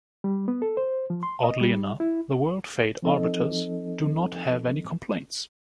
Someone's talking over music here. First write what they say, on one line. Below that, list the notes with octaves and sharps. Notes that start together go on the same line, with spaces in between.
Oddly enough, the world fate arbiters do not have any complaints.
G3
B3
A4
C5
F3
C6
D#5
G3
E4
F3 C4 D#4 A4 D#5